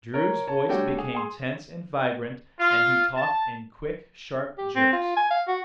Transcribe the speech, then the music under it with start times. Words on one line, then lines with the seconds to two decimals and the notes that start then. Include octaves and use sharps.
Dru's voice became tense and vibrant, and he talked in quick sharp jerks.
0.14 A#4 C#5
0.47 C#5 A5
0.68 G3 A3 D4 F#4 C#5 G5
0.98 G#4
1.15 G#4 C6
2.59 F4
3.16 A5
4.58 G4
4.75 C4
4.93 F4
5.16 G#5
5.31 F5
5.48 F#4